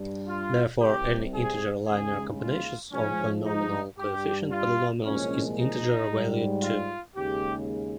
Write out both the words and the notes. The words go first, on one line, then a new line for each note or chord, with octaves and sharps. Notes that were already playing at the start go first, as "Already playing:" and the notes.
Therefore, any integer linear combination of binomial coefficient polynomials is integer-valued too.
Already playing: G2 G3
F4
C2 C3 G3 G4
G#4
D#2 C#3 G#3 G#4
F4
G#2 F3 G#3 C#4
D#4
G2 G3 G4
F4
C2 A#2 F3 G#3 C#4
D#4
G#2 G3
F4
D#2 C#3 G#3 G4